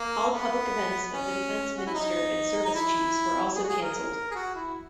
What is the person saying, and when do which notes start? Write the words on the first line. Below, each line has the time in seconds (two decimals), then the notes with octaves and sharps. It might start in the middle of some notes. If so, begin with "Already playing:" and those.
All public events of the Defence Minister and Service Chiefs were also cancelled.
Already playing: A#3
0.33 B3
1.14 C#4
1.77 F#4
1.86 E4
1.94 D#4
2.65 D#4
2.75 E4
3.55 G#4
3.63 F#4
3.68 G#4
3.82 A#4
4.31 G#4
4.35 F#4
4.55 E4